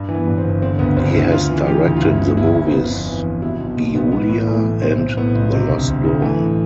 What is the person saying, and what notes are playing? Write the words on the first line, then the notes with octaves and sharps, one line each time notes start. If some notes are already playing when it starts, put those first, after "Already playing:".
He has directed the movies "Giulia" and "The Lost Door".
Already playing: G2
E3
B3
G2
C4
G1
D3 C4
D2 B3
D2 C4
D4
D2 E4
D2 F4
E3
E3 G4
D2
F4
G1 E4
F2
G1 E4
G1
C4
G1 B3
F2
E3
F2
B2 E4
B1
B1
B1 B3
A1 B3
A2
E3 A3
A2
B1 C4
B1
A2 B3
B1
C3
D2
D2
D2
E3 A3
A1